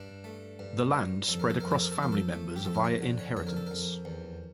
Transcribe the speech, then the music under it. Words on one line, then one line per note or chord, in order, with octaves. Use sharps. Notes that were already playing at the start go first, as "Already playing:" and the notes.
The land spread across family members via inheritance.
Already playing: G2 D4
A3
G2
G2
F2 A4
A#4
A4
F2 A#4
A4
A#4
A4
F2 A#4
A4
A3
G4
F2 A4
A#4
C#5
D3
C#5
F2 C#5
A#4
A4
F2 A#4
E2